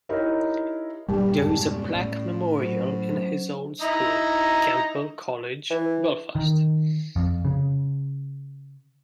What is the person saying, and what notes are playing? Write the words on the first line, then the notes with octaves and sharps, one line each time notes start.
There is a plaque memorial in his old school, Campbell College, Belfast.
D#4 E4 G4 A#4 C#5 E5
E1 G2 A#2 G3
F2 G#2 B2 G#5 A5
C#4 D5
A2
F#3 C#4 C5
D#4 E4 A#5
E3
D#3
F2
C#3